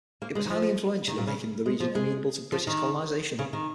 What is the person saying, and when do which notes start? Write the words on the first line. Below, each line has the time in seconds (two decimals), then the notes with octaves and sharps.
It was highly influential in making the region amenable to British colonization.
0.22 A#3
0.35 G#3
0.45 D#3
0.50 F3
1.08 D#3
1.18 A#2
1.27 C#3
1.66 G#3
1.80 F3
1.95 G#3
2.52 F3
2.67 D#3
3.39 C#3
3.53 D#3